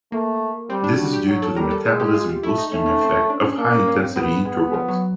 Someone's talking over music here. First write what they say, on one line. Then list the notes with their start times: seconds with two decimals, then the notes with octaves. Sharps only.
This is due to the metabolism-boosting effects of high intensity intervals.
0.12 A3 A#3
0.69 G3 C4
0.84 D4
0.98 G3 F#4
1.13 G4
1.28 F#3
1.42 A4
1.56 G3 A#4
1.71 A4
1.85 G#3 G#4
2.00 G4
2.14 F4
2.29 F4
2.43 A3 E4
2.58 D#4
2.72 A3 C#4
2.86 C#4
3.01 C4
3.15 C#4
3.30 D4
3.44 C#4
3.58 A#3 D4
3.73 C#4
3.88 C#4
4.01 C4
4.16 A#3 B3
4.45 G#3 B3
4.74 F3
4.88 F#3